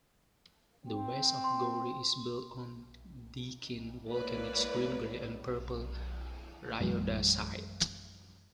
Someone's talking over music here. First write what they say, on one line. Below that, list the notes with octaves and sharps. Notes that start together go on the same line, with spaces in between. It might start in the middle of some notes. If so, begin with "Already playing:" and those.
The west of Gowrie is built on Deakin Volcanics green-grey and purple rhyodacite.
C4
C6
G#3 A#3 E4 B4 C#5 D5
F#2 E3 F#3 G#3